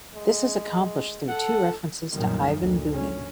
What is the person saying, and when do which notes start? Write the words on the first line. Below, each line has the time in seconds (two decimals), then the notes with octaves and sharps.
This is accomplished through two references to Ivan Bunin.
0.15 G#3
1.28 A4 F#5
2.13 B1 F#2 A#2 D#3 G3
2.56 F#1 D2
2.93 A#1 C#4